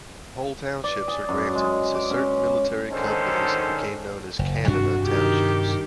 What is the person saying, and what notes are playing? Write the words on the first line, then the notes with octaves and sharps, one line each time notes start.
Whole townships were granted to certain military companies and became known as "Canada" townships.
D5
G#4
F#2
G#3
D6
C#4
G#2 D3 D#3 C#4 A4 C5
F#1
G2 C3 D4 F#4
D#3 G4